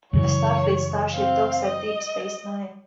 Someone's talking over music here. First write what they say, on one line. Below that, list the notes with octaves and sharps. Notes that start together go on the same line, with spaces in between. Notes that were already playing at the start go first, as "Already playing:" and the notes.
A Starfleet starship docks at Deep Space Nine.
F#2 C#3 E3 C#5
C4 F5
D#5